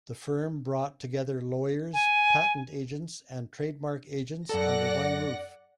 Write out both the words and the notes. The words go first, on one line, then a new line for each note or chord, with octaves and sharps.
The firm brought together lawyers, patent agents and trademark agents under one roof.
G#5
F#2 A4 D5 F#5 A#6